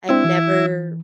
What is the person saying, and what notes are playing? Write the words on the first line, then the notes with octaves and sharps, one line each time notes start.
I'd never
G#3 C4 D4 E4
E3